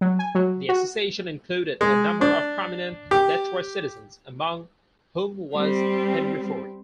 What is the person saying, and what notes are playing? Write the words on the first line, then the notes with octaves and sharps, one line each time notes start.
The Association included a number of prominent Detroit citizens, among whom was Henry Ford.
F#3
G#5
F#3
F#4
G#3
D4
G4
G3 C4